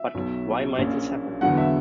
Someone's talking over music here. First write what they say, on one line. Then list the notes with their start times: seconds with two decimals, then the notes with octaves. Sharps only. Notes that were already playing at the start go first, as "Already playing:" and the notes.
But, why might this happen?
Already playing: E5
0.14 B1 B2 F#3
0.78 A#1 A#2 A#3 C#4
1.41 E2 D3 F#3 B3 F#5
1.57 E5